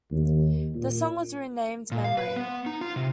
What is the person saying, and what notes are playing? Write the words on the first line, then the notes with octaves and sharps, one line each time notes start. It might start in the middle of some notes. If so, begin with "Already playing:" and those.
The song was renamed "Memory".
D#2
A#2
A#2
F5
B4
B3
D#4
F4
C3